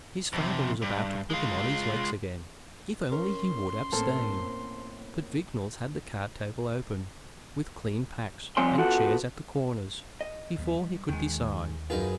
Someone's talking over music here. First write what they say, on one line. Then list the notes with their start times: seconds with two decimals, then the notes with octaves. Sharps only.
His father was about to put him on his legs again,--if only he would abstain. But Vignolles had the card-table open, with clean packs, and chairs at the corners, before he could decide.
0.33 F2 C3
0.82 G2
1.30 G#3 F4
3.12 C#4 A#4 C6
3.92 A2 A#3 C4 A4 C5
8.57 F3 G3 C4 C#5 G#5 C6
8.78 B3 F4 F#4 A4 F#5
10.21 D#5
10.58 D#2 F#3 B3
10.80 G3
11.09 D#2 D#3 G#3
11.90 F#2 D#4 F4 G#4 B4